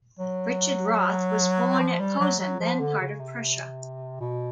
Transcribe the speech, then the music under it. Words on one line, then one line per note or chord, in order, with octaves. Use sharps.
Richard Rothe was born at Posen, then part of Prussia.
F#3
F3
G3
F#3
F#3
F3
D3
C#3
C3
B2